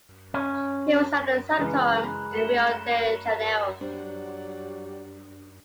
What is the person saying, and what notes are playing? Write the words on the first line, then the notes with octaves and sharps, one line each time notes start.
He was at a sanatorium in Rio de Janeiro.
C#4
C#3 E3 G#3 B4 A#5 F6
B5 F#6
A3 C#7 D7 E7 G7
C6
F#3 G3 D4 C5 D5 F#5